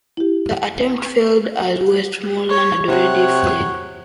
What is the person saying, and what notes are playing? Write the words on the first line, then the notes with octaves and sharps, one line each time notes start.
The attempt failed, as Westmorland had already fled.
E4 G4
C#5
C3 C#5 F#5